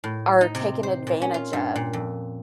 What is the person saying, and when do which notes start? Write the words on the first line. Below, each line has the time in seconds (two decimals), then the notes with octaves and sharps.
are taken advantage of.
0.04 A2
0.41 D#4
0.55 C3
0.83 C5
1.07 A#2
1.22 C#4
1.34 F4
1.53 G2
1.76 A#2
1.93 F2